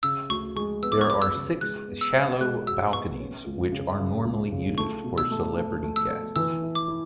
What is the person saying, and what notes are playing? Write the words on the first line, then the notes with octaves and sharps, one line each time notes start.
There are six shallow balconies which are normally used for celebrity guests.
C#3 E6
D2 C#6
G#3 C#6
B3 E6
D6
C#6
B3 D6
E6
C#3
G#3 F#6
B3
E6
B2
G#3 F#6
F#4 E6
B3 C#6
C#4
C#2
C#3
C#3
C#2
C#3
A3 C#6
B2
E6
A3
A3
A3
E6
A3
E3 E6
E4
D6
E4